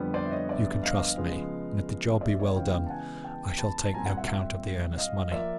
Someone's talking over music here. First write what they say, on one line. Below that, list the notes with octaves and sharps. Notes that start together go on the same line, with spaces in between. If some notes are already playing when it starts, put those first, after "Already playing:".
You can trust me, and if the job be well done I shall take no count of the earnest money.
Already playing: F2 D3 G3 B3
C5 D5
E5
C#5 D#5
D5 E5
D#5 F5
C#3 F3 G#3 B3
D5 E5
C#5 D#5
C#3 E3 G#3 B3 F5 G5
A5
F#5 G#5
G5 A5
A5 B5
A5
A#2 G3 C4 G#5 A#5
F#5 G#5
E5 F#5
E5 F#5
D#5 F5
F3 A#3 D5 E5